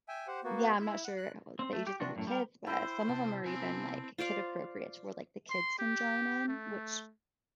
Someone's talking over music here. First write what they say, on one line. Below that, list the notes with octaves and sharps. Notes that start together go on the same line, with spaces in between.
yeah, I'm not sure about the ages of your kids, but some of them are even, like, kid appropriate to where, like, the kids can join in, which
E5 G5 G#5
G4 C5 F#5
A#3 B3 F#4
E4 E5
F#5
F#6
C4
A3
G4
C3 F3 D4 F#4
F#2 A2
G3 A#4
E4 C5 G5 E6
C3 C4 A5
C3 B3 C4 G#5
F4 C5 D5 F5
C6
G4
A3